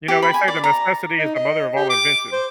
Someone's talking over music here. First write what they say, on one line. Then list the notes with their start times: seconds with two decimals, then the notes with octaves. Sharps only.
You know, they say that necessity is the mother of all invention.
0.08 G4
0.22 B5
0.34 G#5
0.48 D5
0.64 A#5
1.18 D#4
1.35 D#5
1.75 G4
1.90 D6
2.32 C5